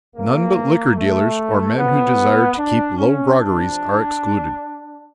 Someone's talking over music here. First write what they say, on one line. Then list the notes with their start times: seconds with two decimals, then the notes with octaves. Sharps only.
None but liquor dealers or men who desire to keep low groggeries are excluded.
0.16 C#3 E3 A#3
0.96 A3
1.76 A2 F3 B3
2.57 D4
2.97 C#4
3.37 C3 F3 D4